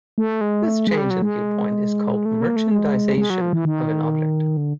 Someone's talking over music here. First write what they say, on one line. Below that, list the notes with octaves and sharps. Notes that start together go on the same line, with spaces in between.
This change in viewpoint is called merchandization of an object.
A3
G#3
A3
G#3
G3
F#3
G#3
A3
A#3
A3
G#3
G#3
F#3
F3
E3
D#3
D3